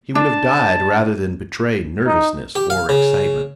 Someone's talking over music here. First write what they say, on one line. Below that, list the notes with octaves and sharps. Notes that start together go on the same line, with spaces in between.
He would have died rather than betray nervousness or excitement.
D4 A5
D#4
G4
F5
C#3